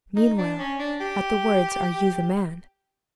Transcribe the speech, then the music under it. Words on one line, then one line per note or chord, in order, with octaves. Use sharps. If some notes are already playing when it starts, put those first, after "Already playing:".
Meanwhile, at the words, Are you the man?
D#4
D4
C#4
D4
G4